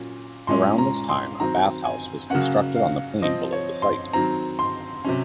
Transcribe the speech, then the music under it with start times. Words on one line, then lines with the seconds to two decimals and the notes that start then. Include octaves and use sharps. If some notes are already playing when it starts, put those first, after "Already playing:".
Around this time a bath house was constructed on the plain below the site.
Already playing: A#2 F#3 C#4
0.47 A#2 G#3 C#4 C6
0.78 A#5
1.09 C6
1.40 D#3 F#3 C4 A#5
1.84 G#5
2.30 C#3 F#3 A#3 C#4 F#5
2.76 F5
3.22 F3 C4 D#5
3.53 C#5
3.82 C6
4.13 D#3 F#3 C4 A#5
4.59 C6
5.05 C3 F#3 C#4